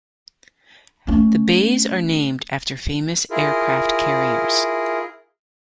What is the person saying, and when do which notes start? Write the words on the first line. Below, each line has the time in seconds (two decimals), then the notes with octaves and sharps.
The bays are named after famous aircraft carriers.
1.07 A3 C#4
3.30 E4 F4 G#4 A#4